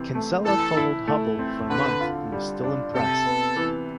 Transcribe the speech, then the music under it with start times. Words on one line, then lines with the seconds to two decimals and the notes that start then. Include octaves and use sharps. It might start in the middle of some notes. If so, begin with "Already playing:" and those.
Kinsella followed Hubbell for a month and was still impressed.
Already playing: C3 E3 C4
0.15 A3
0.45 E3 A4
0.77 E4
1.08 A3
1.39 C4
1.70 D3 B4
2.01 F4
2.32 G3
2.64 D4
2.94 C3 A4
3.26 B3
3.56 E3